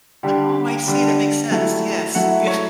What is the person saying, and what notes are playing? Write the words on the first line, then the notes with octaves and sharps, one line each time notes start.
Oh, I see, that makes sense. Yes. Yeah.
D3 G3 D4 G4
D3 G3 D4
F#3 A3 E4
F#3 A3 E4 F#5
E5
C#5